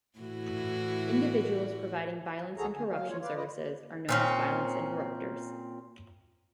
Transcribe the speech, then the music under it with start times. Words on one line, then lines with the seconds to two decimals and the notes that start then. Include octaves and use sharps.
Individuals providing violence interruption services are known as violence interrupters.
0.19 A2 E3 F#4
2.57 D2 F#4 G#4 A4 A#5
2.72 D3 G#4
2.90 F#3 F5
3.08 F4 C#5
3.22 B4 D5 F5
3.35 F4 B4 D5 D#5
4.09 A#2 C4 C#4